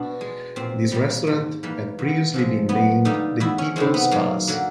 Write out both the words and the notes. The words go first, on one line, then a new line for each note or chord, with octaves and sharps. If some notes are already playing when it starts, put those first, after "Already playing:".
This restaurant had previously been named The Peoples Palace.
Already playing: B2 D4
G#3
A#2 C4
G3 A#3
G#2
E3 G3 A#3
E2
C3 F3 G#3
F#2 B3
D3 G3 A#3 D#4
E2 E4
C#4
C3 D#3 G#3 C4
B3
F#2 A#3
D3 F#3 A#3